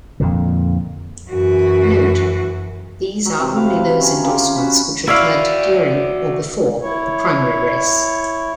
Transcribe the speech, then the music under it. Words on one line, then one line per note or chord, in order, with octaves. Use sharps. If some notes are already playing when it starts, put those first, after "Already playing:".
Note: These are only those endorsements which occurred during or before the Primary Race.
F2 A#2 D3
F#2 E3 F#4
F#3
C3
E4 F#4 F5
C#4 A#5
C#3 F4 G4
F#4 B5
E4 F#4 C#5 D5 F5
E4 C#5